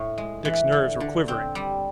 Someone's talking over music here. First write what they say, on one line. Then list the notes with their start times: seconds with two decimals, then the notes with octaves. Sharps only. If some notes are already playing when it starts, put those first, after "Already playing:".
Dick's nerves were quivering.
Already playing: A2
0.18 G#3
0.45 E3
0.72 D3
1.00 D3
1.28 C4
1.55 G3